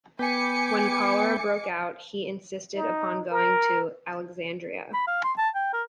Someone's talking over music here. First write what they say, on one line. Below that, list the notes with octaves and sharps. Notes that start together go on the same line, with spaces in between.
When cholera broke out, he insisted upon going to Alexandria.
B3 G5 G#5 B5 D6 C#7
D#4
A#4
B5
F5
C6
A5
G5
A#4